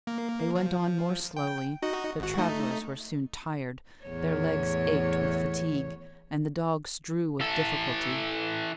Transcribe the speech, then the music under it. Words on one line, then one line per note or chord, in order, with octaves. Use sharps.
They went on more slowly; the travellers were soon tired; their legs ached with fatigue, and the dogs drew with difficulty.
A#3
F3
G5
D#4 F#4 D#5
G#1 F#4
A3 D#4
E2 A2 C#5
E3 A4